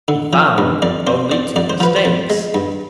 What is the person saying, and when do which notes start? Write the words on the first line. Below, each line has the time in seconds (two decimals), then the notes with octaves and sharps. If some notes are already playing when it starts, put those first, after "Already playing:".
He found only two mistakes.
0.08 D3
0.33 F3
0.58 G2
0.82 F2 D5
1.07 C4 C5
1.31 C4 D5
1.56 F2 D5
1.70 C5
1.80 F3 B4
1.96 C5
2.05 F2
2.30 G#3
2.54 G2